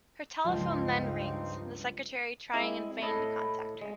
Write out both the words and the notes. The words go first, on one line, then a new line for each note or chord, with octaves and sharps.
Her telephone then rings, the secretary trying in vain to contact her.
C#2 G2 F3 C4 D#4
G#3 C4 E4
A2 A4 D#5 B5
G#3